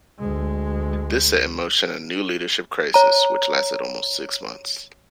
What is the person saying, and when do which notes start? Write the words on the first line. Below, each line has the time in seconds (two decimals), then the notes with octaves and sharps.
This set in motion a new leadership crisis, which lasted almost six months.
0.19 D2 G#3
2.94 C#5 A#5